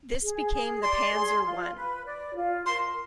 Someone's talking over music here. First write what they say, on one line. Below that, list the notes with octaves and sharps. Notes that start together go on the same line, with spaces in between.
This became the Panzer One.
G#4
G#4
D5 C6
G#4
F4
B4
D5
F4
A#4 C6